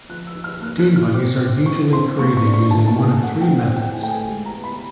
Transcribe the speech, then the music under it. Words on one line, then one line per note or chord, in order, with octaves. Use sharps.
Dune buggies are usually created using one of three methods.
F3 F#6
E6
D#4
F6
A#3 F#6
F#6
A#3
F6
C4 D6
C4
E3 C#6
C4 C6
A#3 C#6
C#6
D4
C#6
D#3 A5
A5
A#3 G#5
A3 F#5
G5
C4
F#5
A2 G5
G#5
A3 G5
G#5
G#3
A#5
B3
B5